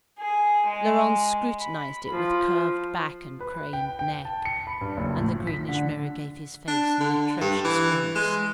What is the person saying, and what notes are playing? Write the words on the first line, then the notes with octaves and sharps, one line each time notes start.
Laurent scrutinised it with curved back and craned neck, and the greenish mirror gave his face an atrocious grimace.
G#4
G#3
B5
F3
B4
G5
G5
A5
C#7
B5
G2
F#1
A2
F3
B6
D3
D4
D3
G2
E3
G#3